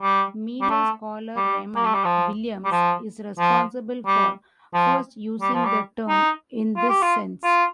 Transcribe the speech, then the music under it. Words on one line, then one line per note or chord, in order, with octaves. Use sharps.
Media scholar Raymond Williams is responsible for first using the term in this sense.
G3
G3
A3
G3
A#3
A3
G3
F3
G3
F3
F3
G3
F3
G3
F3
G3
D#4
F4
G4
F4
F4